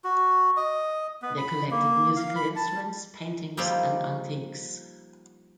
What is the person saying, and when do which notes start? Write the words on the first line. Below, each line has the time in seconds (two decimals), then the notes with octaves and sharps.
They collected musical instruments, paintings and antiques.
0.04 F#4
0.57 D#5
1.22 B3
1.37 B5
1.71 A#3
2.16 F5
2.36 B5
2.56 A5
3.57 F3 G3 A#3 D#4 E4 G4